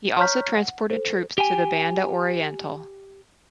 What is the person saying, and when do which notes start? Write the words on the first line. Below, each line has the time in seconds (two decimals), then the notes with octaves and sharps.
He also transported troops to the Banda Oriental.
0.18 C#5 A#5 C#6 F6 G6 B6
0.57 F#5
0.90 A4 C5
1.38 G4 G5 G#5